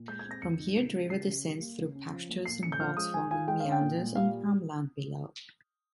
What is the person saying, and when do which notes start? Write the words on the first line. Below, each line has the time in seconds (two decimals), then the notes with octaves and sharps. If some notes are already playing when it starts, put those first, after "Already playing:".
From here the river descends through pastures and bogs forming meanders on farmland below.
Already playing: A#2
0.08 G#3 G6
0.19 G#6
0.25 C4
0.31 A#6
0.42 F2 C#7
0.59 D#4
0.76 C#3
0.93 G#3
1.10 C#3 C7
1.26 C#3
1.44 G3
1.61 A#3
1.78 C#3
1.95 C#4
2.12 F3
2.29 A#3
2.46 A#2 C7
2.63 C#4 C#7
2.72 G6
2.79 F3 F6
2.97 G#3 D#6
3.14 D#3 G#5
3.31 F4 G#5
3.47 G#3 G5
3.60 C#4 F5
3.72 G5
3.81 A#2
3.98 A#2
4.15 G3 F5